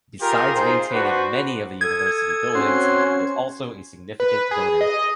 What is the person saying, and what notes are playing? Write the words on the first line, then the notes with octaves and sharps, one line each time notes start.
Besides maintaining many of the university buildings, it is also a significant donor.
F4 G4 G#4 A#4
D#4 F4 G#4 C5
D4 F#4 B4 C5
A4 D#6 G#6
C4 C#4 F#4 C5
B4
G#4
D#5